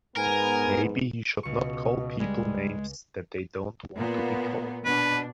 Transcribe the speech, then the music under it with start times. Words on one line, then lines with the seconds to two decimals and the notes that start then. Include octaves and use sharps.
Maybe he should not call people names that they don't want to be called.
0.17 G#2 B3 A#4 G#5
1.43 C#2 B2 C#6
2.19 G3 G#3
3.96 A#2 B3
4.85 B2 D4 B4